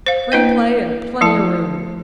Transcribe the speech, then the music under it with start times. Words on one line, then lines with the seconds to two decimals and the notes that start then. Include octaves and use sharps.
"Free play and plenty of room."
0.06 C5 F5
0.32 A#3 D4 E4 B4 D#5 G5
1.21 F3 A3 E4 A5